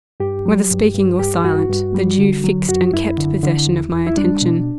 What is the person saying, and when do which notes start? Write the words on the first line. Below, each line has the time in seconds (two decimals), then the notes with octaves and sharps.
Whether speaking or silent, the Jew fixed and kept possession of my attention.
0.20 G2 G4
0.46 F#3
0.71 G2
0.95 G2
1.19 G2 G4
1.44 G2 F#4
1.70 G2
1.95 G3
2.18 D3
2.44 F#3
2.68 F#2 F#4
2.93 F#2 E4
3.18 D3
3.43 D3
3.67 E2
3.93 E2
4.07 E4
4.17 G3 D4
4.42 B2